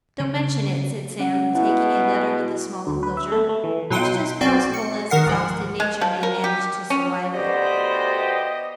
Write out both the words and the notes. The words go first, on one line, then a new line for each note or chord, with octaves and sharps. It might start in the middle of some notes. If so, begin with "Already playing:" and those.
'Don't mention it,' said Sam, taking a letter with a small enclosure. 'It's just possible as exhausted natur' may manage to surwive it.'
C#3
C#4 F#5
B2 E4 F#5
D2
B4
E5
A3
A3
E3
B2 F#3 D#4 G5 C6
B1 C4 F#4 D5 G5
C#7
D#3 A#4 F#5 C7
C2 G#2 F3
G#3
F3
A#4
G4
C#4
D2 B3 G4 C5 D5 D#5